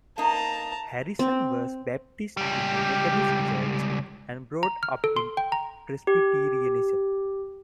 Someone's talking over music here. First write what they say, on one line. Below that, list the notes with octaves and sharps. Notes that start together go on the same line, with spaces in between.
Harrison was baptised in a Methodist church and brought up in Presbyterianism.
A#3 D#4 A5 A#5
C4
C#2 G3 G4
A#5
F6
A4
C6
G5
A#5
G4